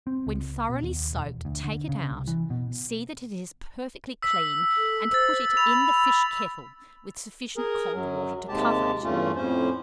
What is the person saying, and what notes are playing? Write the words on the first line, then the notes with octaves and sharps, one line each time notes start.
When thoroughly soaked, take it out, see that it is perfectly clean, and put it in the fish-kettle with sufficient cold water to cover it.
C4
C#2
B2
D#2
E1
D2
D3
C#3
C2
E3
B2
E6 B6
A4
C5 E6 A6
B5 F7
G#4 A#4
F#2 F#3
D#2 C3 G#3 G4 A5
E2 G2 A3 C#4 F4
F2 A2 C#4 C5